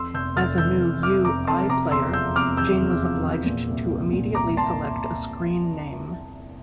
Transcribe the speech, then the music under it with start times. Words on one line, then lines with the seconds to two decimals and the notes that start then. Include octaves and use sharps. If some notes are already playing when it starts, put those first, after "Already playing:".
As a new U-I player, Gene was obliged to immediately select a screen name.
Already playing: F2 C6 E6
0.14 F1 E6 G6
0.36 F1 F6 A6
0.58 E3 E6 G6
0.81 F1
1.03 F2 D6 F6
1.25 F1 A#5 D6
1.47 F2 A5 C6
1.69 C3 A#5 D6
1.91 E2 C6 E6
2.13 F3 E6 G6
2.35 C3 D6 F6
2.57 E2 E6 G6
2.80 E2
3.02 F3
3.24 E2
3.46 A#2
3.69 C2
3.91 C2
4.13 A#2
4.35 C2 A#5 D6
4.57 A#2 A5 C6